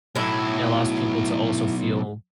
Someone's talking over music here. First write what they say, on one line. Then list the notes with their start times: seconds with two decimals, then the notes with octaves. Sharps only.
it allows people to also feel
0.16 B1 A2 F#3 E4